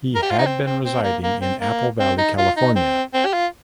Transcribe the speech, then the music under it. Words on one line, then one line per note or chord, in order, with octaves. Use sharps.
He had been residing in Apple Valley, California.
A#4
G4
F4
D#4
C4
C4
C4
A#3
A#3
C4
A#3
C4
D#4
F4
D#4
C4
C4
G4
F4